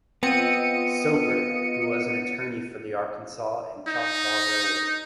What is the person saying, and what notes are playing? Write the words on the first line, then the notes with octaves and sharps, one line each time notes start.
Soper, who was an attorney for the Arkansas and Choctaw Railway.
B3 C4 F4 D#5 C#7 D#7
D#4